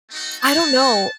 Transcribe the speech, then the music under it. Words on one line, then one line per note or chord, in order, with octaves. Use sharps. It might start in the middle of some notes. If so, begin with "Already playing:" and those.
I don't know.
A3 C4 D#4 F#4
G3 C4 F#4 A5
C4 D#4 F#4